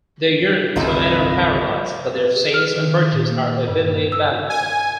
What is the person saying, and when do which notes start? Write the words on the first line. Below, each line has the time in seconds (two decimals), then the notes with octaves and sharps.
They yearn to enter paradise, but their sins and virtues are evenly balanced.
0.76 G1 C2 F2 F3 D#4 E4
2.17 B4
2.36 G#4
2.54 F6
2.76 D#3
3.13 A#2
3.30 A#3
3.45 A#2
3.68 G2
4.12 E6
4.50 G#5